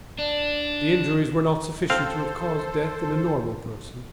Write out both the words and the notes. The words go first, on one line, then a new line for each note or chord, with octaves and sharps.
The injuries were not sufficient to have caused death in a normal person.
D4
C4 A4 C5 F5